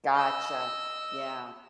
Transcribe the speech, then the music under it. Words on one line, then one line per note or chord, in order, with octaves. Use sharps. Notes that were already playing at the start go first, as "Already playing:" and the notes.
Gotcha, yeah.
D#5 E6